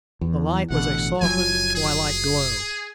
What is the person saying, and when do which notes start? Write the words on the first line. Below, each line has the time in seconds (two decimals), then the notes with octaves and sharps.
The light was a softened twilight glow.
0.21 E2
0.70 A1 B2 D3 F#5
1.21 F#1 F3 F#3 G#5
1.75 G#4